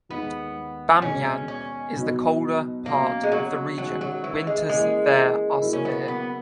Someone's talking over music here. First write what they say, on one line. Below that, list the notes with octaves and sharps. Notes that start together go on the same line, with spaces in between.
Bamyan is the colder part of the region; winters there are severe.
D#2 D#3 G#3 B3
B2 G#3 B3 C#4
C#4
B2 F#3 B3 D#4
B2 F#3 A#3 C#4
G#3
F#3
D#3 F#3 G#3 C#4
F#3
E3
G#3
E3 G#3 A#3 C#4 G#4
C#3 F#3 A#3 E4 A#4
C#4
B3
B3